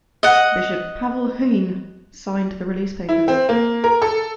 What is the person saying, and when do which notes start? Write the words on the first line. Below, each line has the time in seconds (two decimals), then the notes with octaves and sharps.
Bishop Pavel Huyn signed the release papers.
0.23 D#5 F#5
3.09 E4
3.28 C4
3.49 A#3
3.84 A#4
4.02 A4